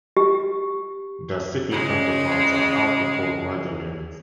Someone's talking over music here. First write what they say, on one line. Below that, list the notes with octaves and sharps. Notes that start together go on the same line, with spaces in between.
Their cyclic counterparts are aptly called radialenes.
G4
C#3 G#3